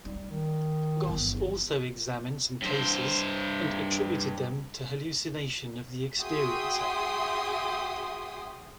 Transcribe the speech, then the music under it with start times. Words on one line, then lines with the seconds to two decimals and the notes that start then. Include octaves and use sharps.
Goss also examined some cases and attributed them to hallucination of the experiencer.
0.05 G3 D#4
0.30 D#3
1.03 G1 E3
2.62 G2 C5
6.19 F#4 G#4 E5 G5 C6 D#6